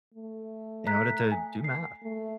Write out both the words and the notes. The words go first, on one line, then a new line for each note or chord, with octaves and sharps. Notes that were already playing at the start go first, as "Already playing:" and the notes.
in order to do math.
A3
A#5 F#6 B6
G#5
C7
A3